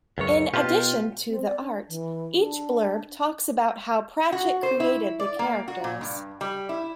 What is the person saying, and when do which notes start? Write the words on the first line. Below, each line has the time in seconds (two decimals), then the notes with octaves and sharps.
In addition to the art, each blurb talks about how Pratchett created the characters.
0.18 C#2 F#2 C#5
0.54 B2 F4 G4
1.29 C4
1.46 D5
1.61 D4
1.89 E3
2.39 D4
4.32 F#4
4.63 C5
4.80 E4
5.20 D5
5.39 A#3
5.68 F#4
5.84 A#2
6.01 G2
6.41 G3
6.69 E4